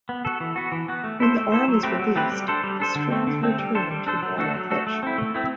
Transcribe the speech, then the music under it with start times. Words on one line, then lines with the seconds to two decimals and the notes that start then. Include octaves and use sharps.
When the arm is released, the strings return to normal pitch.
0.09 B3
0.25 F#4 A4
0.40 E3
0.56 B3 F#4
0.72 E3
0.88 B3 F#4
1.04 A3
1.20 E4 A4 C5
1.36 A3
1.52 E4 A4 C5
1.68 F#3
1.83 A3 C4 G4 B4
1.99 F#3
2.16 A3 C4 G4 B4
2.32 G3
2.48 D4 A4 C5
2.64 G3
2.80 D4 A4 C5
2.95 D3
3.11 A3 C4
3.27 D3
3.43 A3 C4
3.59 G3
3.75 D4 A4 C5
3.91 G3
4.07 D4 A4 C5
4.22 F#3
4.38 A3 D4 F#4 A4
4.54 F#3
4.70 A3 D4 F#4 A4
4.87 A3
5.03 C4 E4
5.18 A3
5.35 C4 E4